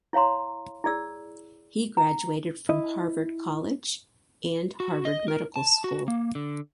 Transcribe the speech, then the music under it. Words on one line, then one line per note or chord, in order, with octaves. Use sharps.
He graduated from Harvard College and Harvard Medical School.
E4 C#5 F5 A#5 C6
E4 G#4 D5 E6
A#5
E4 D#5
F#4
D#5
A#4
A5
F#4
A#3
D3